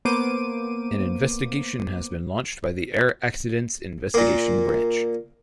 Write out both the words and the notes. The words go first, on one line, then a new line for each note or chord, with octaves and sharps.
An investigation has been launched by the Air Accidents Investigation Branch.
A#3 B3 C5 D6 D#7
A#2 A#3